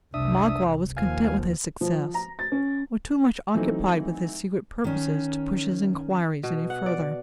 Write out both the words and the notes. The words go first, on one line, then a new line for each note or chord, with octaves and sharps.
Magua was content with his success, or too much occupied with his secret purposes to push his inquiries any further.
F1 C2 D4 E5 D#6
D#2 F3 F5 G#5
F3
A#5
A6
C#4
E3 F#3 A3 C4 D#4
D#3 C#4
B2
F#5
D5